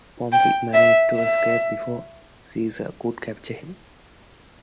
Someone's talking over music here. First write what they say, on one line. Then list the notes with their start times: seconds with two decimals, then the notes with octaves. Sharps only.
Pompey managed to escape before Caesar could capture him.
0.33 G5
0.74 E5
1.17 E5